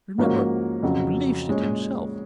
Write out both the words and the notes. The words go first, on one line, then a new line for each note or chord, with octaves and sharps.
Remember he believes it himself.
G#2 F3 A#3 C#4 F#4
F2 C#3 F#3
A#2 G#3 C#4